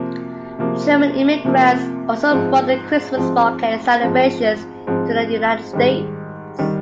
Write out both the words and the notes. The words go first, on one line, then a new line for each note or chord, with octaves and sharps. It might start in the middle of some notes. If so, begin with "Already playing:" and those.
German immigrants also brought the Christmas market celebrations to the United States.
Already playing: C3 F3 A#3
C3 F3 A#3
C3 F3 A#3
G#2 F3 C4
G#2 F3 C4
G#2 F3 C4
G#2 F3 C4
G#2 D#3 G3
D#3 G3